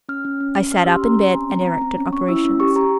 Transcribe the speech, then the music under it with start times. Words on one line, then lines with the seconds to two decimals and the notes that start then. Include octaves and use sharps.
I sat up in bed and directed operations.
0.09 C#4 F6
0.25 C#4
0.40 C#4
0.56 C#4
0.72 C#4 F6
0.82 E6
0.87 G4 C6
1.03 C#4 A#5
1.14 C6
1.18 C#4
1.24 A#5
1.34 C4 G#5
1.50 C4 A#5
1.66 C4 A#5
1.81 C4
1.98 C#4
2.13 C#4 C#6
2.29 E4 E6
2.45 C#4
2.60 G4 C#6
2.76 G4 A#5